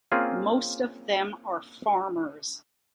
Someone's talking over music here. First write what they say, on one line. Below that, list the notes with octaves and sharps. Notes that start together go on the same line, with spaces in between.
Most of them are farmers.
A#3 C4 C#4 F4 G#4